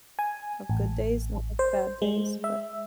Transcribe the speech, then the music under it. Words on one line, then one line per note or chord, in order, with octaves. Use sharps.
I have good days, and I have bad days, but
G#5
A1
C5
G#3
E5